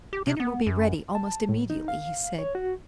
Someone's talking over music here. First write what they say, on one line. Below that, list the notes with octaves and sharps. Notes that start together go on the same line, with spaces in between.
"Dinner will be ready almost immediately," he said.
G4
C3
B3
F#2
A5
A2
D#4
F5
C#5
F#4